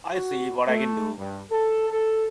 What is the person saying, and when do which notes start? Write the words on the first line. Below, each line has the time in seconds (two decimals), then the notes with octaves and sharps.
I'll see what I can do.
0.12 F#4
0.68 A3
1.19 G2
1.50 A4
1.90 A4